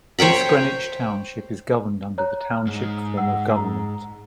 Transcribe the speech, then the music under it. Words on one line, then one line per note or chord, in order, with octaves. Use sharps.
East Greenwich Township is governed under the Township form of government.
C5 C#5 G5 B5
C#5 A#5 F#6
F6
G#2
F#5 E6
A#5